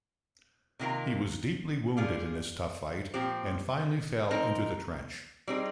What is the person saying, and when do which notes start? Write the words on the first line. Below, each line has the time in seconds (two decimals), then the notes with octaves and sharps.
He was deeply wounded in this tough fight and finally fell into the trench.
0.79 C3 D#3 A#3 F4 A#4
1.97 G3 A#3 F4 G#4
3.14 A#2 F3 C4 G4
4.31 F3 C4 D#4 A#4
5.48 G3 C4 D#4 G#4